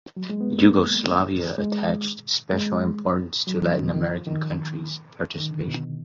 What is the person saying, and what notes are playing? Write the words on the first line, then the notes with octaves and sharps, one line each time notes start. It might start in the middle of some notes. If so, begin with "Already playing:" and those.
Yugoslavia attached special importance to Latin American countries participation.
F#3
G#3
B3
A#3
G#3
G#3
F#3
F3
D#3
B2
D#3
F3
D#3
D#3
D3
B2